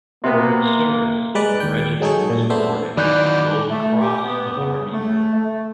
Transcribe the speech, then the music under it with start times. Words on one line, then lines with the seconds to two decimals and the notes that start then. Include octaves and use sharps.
For its service the regiment was awarded Gold Cross of Army Merit.
0.24 C3 A#3 B3
1.35 G3 G#3 B4 D5 F#6
1.60 D#2 G5
2.00 F#3 G#3 D#4 G#4 A4 C#5
2.29 A#2
2.50 A3 B3 D4 C5 E5
2.97 D#3 E3 F#3 D5 D6 F#6 G6
3.70 A3
4.00 G4
4.24 B3
4.57 C#3
4.92 A3
5.34 A3